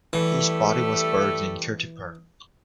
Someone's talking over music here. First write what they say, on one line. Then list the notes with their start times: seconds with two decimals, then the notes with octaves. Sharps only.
His body was buried in Kirtipur.
0.13 E3 G3 A3